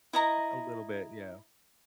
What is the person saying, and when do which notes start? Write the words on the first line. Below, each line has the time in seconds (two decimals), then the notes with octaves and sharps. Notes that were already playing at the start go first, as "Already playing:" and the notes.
A little bit, yeah.
0.13 E4 D#5 A#5